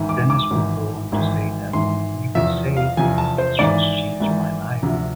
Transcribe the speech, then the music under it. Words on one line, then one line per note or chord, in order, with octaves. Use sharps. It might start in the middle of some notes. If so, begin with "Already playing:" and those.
Dennis would go on to say that you could say Extras changed my life.
Already playing: G#1 G#2 E3
D6
D6
G#1 G#2 E3
G#1 G#2 E3
G#1 G#2 E3 C6
E2 C3 F3 E5
F5
E2 C3 F3 G#5
A5
C5
G#1 G#2 E3 D5
G#1 G#2 E3
D2 C3 F3